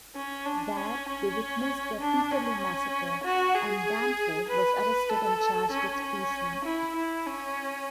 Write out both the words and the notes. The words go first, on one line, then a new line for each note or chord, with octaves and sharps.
There they witnessed the Peterloo Massacre, and Bamford was arrested and charged with treason.
C#4
D4
C#4
C#4
D4
C#4
F#4
G#4
B4
B4
A4
C#4
C#4
E4
E4
C#4